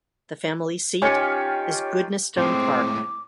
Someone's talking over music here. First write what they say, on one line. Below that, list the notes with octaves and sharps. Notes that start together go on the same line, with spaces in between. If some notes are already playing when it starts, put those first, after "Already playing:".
The family seat is Goodnestone Park.
D#3 C#4 F4 G4 C#5 G#5 C#7
A2 G#3 C4 D6